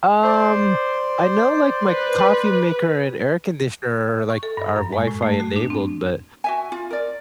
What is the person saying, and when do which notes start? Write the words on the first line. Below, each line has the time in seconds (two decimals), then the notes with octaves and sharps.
Um, I know, like, my coffee maker and air conditioner are, like are Wi-Fi enabled, but
0.24 C5 D5
1.83 B4
4.30 C#6
4.43 A4
4.57 G2
4.76 F#2
4.92 G#3
5.07 A2
5.22 A3
5.40 F#4
5.56 D4
5.70 C4
6.44 F#4 E5 G#5
6.72 F4
6.91 A#4 D5